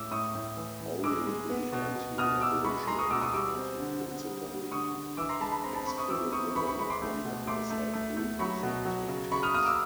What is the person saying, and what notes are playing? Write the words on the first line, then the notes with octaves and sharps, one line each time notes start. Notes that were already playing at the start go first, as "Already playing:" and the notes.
Only the Anti-Revolutionary Party principally excluded women from the House of Representatives.
Already playing: A2 G#3 D6 E6
A2 C#6 D#6
A2
E3
E3
G#3 D6 E6
G#3
B3
B2
B2
B2 D#6 F6
B2 D6 E6
G#3 B5 C#6
G#3 A#5 C6
C#6 D#6
B2 D6 E6
C#6 D#6
G3 D6 E6
C4
D3
D3
G3
G3
D3 C#6 D#6
D3
E3 D6 E6
A#5 C6
G#3 A5 B5
A5 B5
C4 A#5 C6
A5 B5
C4 B5 C#6
C#6 D#6
E3 D6 E6
C4 C#6 D#6
E3 B5 C#6
B5 C#6
G#3 B5 C#6
C6 D6
A3
B2
A3 C6 D6
A3
A3
A3
F#3 B5 C#6
B2
F#3
C#3
C#3 B5 C#6
D#6 F6
A#3 D#6 F6
D6 E6